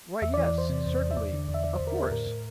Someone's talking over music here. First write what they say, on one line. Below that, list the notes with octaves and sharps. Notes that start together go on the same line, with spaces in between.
Why yes, certainly, of course!
E2 E5
D5
E3
D5
E2 C5
C3
E2
E2
E5
E2 D5
D3
E2
E5
D3 D5
E2 C5
A#4
D3 G4
A2 A#4
A2